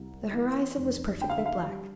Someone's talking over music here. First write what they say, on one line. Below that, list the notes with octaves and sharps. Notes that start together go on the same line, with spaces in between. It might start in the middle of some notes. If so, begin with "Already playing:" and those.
The horizon was perfectly black.
Already playing: C2
E3
F1
D3 G5
F5
E5
F5
G3